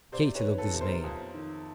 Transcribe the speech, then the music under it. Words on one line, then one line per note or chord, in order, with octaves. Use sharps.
Katy looked dismayed.
C3 C5 D5
B4 C#5
D#3
A4 B4
C3
A#4 C5
F2
D#3